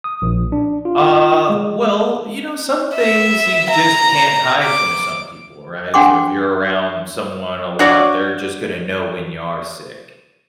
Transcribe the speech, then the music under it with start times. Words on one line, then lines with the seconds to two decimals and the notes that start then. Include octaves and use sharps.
Uh, well, you know, some things you just can't hide from some people, right? So, if you're around someone a lot, they're just gonna know when you are sick.
0.04 D#6
0.22 A#1
0.52 D4
0.85 F4
1.50 G#3
2.95 E5
3.71 A#5
4.64 D6
5.94 D4 F#5 G5 C6 D6
7.79 D4 F#4 C#5 D5